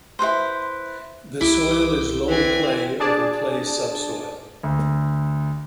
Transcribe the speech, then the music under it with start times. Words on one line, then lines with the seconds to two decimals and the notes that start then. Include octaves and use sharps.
The soil is loamy clay over clay subsoil.
0.19 E4 G#4 B4 C5
1.41 C2 E4 G4 D6 D#6
2.28 E3 C4 G#5
3.00 D4 G#4 D5 A5
4.63 D2